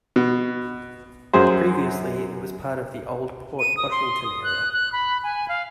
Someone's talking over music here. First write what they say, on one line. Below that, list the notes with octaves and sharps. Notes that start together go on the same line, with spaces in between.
Previously, it was part of the old Port Washington area.
B2
F#2 G#4 C5
D#7
D#6
C6
D#6
F#6
F#6
B5
G#5
F5